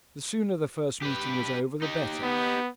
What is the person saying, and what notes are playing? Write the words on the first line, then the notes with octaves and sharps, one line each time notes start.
The sooner the first meeting was over the better.
G4 B4
D#4 G4
B3